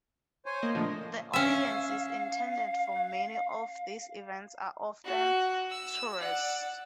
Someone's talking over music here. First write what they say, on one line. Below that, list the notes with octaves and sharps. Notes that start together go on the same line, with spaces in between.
The audiences intended for many of these events are often tourists.
C5 C#5 G#5
A#3 D#5
A2 D3 F3 D#5
C#4 E5 F5
F#4
E6
D5 F#5